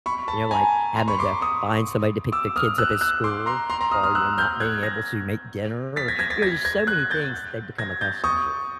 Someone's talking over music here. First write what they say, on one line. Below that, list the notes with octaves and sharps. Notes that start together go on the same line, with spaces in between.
You know, like, having to find somebody to pick their kids up at school or you're not being able to make dinner, you know, there's so many things that they've become accustomed to.
B5 C#6
A5 B5
G#5 A#5
A#5 C6
B5 C#6
C6 D6
C#6 D#6
D6 E6
D#6 F6
E6 F#6
E6 F#6
C6 D6
A#5 C6
A#5 C6
A#5 C6
D#6 F6
D#6 F6
E6 F#6
F6 G6
F#6 G#6
G#6 A#6
A6 B6
G#6 A#6
G#6 A#6
A6 B6
G#6 A#6
G#6 A#6
F#6 G#6
G6 A6
G#6 A#6
G6 A6
C#6 D#6